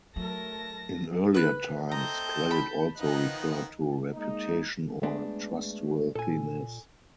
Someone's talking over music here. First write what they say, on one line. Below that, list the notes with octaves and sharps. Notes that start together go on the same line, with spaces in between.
In earlier times, credit also referred to reputation or trustworthiness.
F#3 A3 A#4 A5 A#6
B4 F#6
A3 C4 D#5 A5 A#5 G6
B5
D#3 F3 B3 D#4 F#6
G#3 A#3 D#4
G#3 A3 B3 D4
A#2 A4 G#5